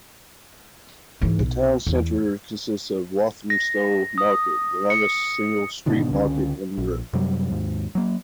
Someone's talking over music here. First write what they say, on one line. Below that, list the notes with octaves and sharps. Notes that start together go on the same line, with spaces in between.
The town centre consists of Walthamstow Market, the longest single street market in Europe.
G#2 E3
B1
E2
A#6
D#6
C#7
G#2 B2 D3 D#3
C#2 D3 C#4
A#1
F#2 C3 F#3 G3
D#2 G#2
F#3 A#3